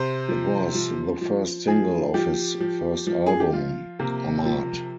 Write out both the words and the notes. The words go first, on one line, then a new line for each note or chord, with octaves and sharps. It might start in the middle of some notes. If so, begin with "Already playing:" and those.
It was the first single off his first album, "Ahmad".
Already playing: C3 C5
F3
F3
F3
F3 G#4
F3 G4
F3
F3
G#4
G4
F3 F4
C3 A#3
F3